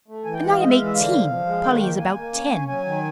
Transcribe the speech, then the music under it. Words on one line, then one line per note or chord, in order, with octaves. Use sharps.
"And I am eighteen, Polly is about ten."
A3
E3 G#5
G5
G#3 F#5
F5
G#3 D#5
E5
E3 F5
E5
D3 F5
F3
F3
G#3
D#3 G5
F#5
A#3 G5
A#3 G#5
A#3
C#4
C#4
F#3 G#5
D#3